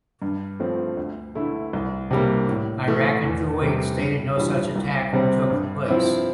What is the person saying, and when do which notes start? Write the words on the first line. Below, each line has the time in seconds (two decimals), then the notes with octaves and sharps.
Iraq and Kuwait stated no such attack took place.
0.22 G2
0.60 F3 A3 C4
0.97 D2
1.35 D3 A3 E4
1.73 C2
2.11 C3 G3 A#3
2.48 A2
2.86 E3 A3
3.23 E2
3.61 C3 G3
3.99 G2
4.37 E3 G3 D4 F4
4.76 C2
5.13 C3 G3 C4
5.50 G2
5.88 F3 C4 E4